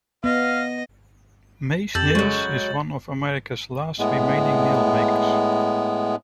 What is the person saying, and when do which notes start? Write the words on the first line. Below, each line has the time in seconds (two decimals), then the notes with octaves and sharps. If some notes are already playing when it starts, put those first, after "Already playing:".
Maze Nails is one of America's last remaining nail makers.
0.24 B3 D#5 F5 A#6
1.95 F2 G4 A4 G6 A6 F#7
2.15 C#3 F#3 G#3
3.99 A2 G#3 B3